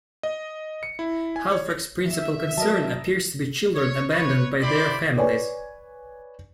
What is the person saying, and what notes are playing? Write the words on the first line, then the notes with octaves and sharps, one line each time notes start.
Halfrek's principal concern appears to be children abandoned by their families.
D#5
C#7
E4
G#5
C#5
E5 E7
F#3 A#4 D#5 A5
C#5
B4 C#5
E4 G4 C5 D5 B5
B4 C#5 D5 G#5